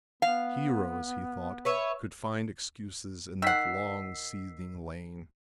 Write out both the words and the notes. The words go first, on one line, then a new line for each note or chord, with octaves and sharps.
Heroes, he thought, could find excuses in that long seething lane.
B3 F5
B4 C#5 E5
D#3 F#5 E6 B6 C7